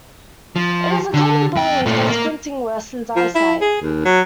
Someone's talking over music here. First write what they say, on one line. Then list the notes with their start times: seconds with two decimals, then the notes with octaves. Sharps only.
It is a common belief that squinting worsens eyesight.
0.56 F3
1.14 D3
1.56 F2 G5
1.86 A#2 A3
2.10 A#3
3.16 F3
3.35 E4
3.61 G#4
3.82 D#2
4.05 F#3